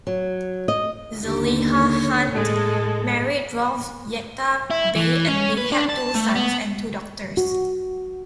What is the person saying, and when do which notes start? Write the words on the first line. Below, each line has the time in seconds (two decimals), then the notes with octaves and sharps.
Zeliha Han married Rauf Yekta Bey and they had two sons and two daughters.
0.07 F#3
0.68 D#5
1.23 D#2 D3 G4
1.70 C#5
2.33 A2 G#3 A4
4.71 E4
4.96 E3
5.28 C#4
5.58 B4
5.72 D4
5.89 A5
6.15 A3
6.36 B3
7.37 F#4